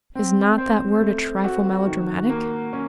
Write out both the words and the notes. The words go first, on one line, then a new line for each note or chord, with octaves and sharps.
"Is not that word a trifle melodramatic?"
C4
C5
A3
F#4
D#3
A#3
C#4